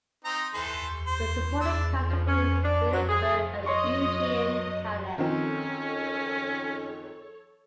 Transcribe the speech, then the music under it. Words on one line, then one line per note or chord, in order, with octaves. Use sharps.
The supporting cast includes Billie Burke and Eugene Pallette.
C4 D#4 A#5
E3 A4 C5
C5
D4 E6
F3
C#4
D4
F#3
G#4
C#5 D#5 C6 C#6
D#3 F3 C4 C#4 A4 C#5